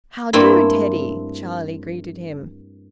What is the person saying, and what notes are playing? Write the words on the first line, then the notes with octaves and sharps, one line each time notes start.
"How do, Teddy?" Charlie greeted him.
G2 A3 A#3 C4 E4 B5